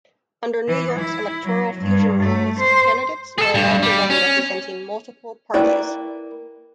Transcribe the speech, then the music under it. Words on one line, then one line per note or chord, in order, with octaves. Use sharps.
Under New York's electoral fusion rules, candidates were allowed to run representing multiple parties.
E3
E4
F#3
G2
A3
C5
G#4 A4
G2
G3
C#4
A#3 E4 B4 D5 G5